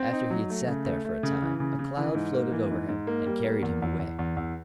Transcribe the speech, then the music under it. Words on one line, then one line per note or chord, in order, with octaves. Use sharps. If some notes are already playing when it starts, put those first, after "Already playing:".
After he had sat there for a time, a cloud floated over him, and carried him away.
Already playing: C4
D#4
F#3
A3
C#3
A3
A3
C#3
E3
C#3
C#3
E3
G#2
A#3
E3
G#2
G#2
A#3
G3
A#3
E2
E2
E2
E2
E2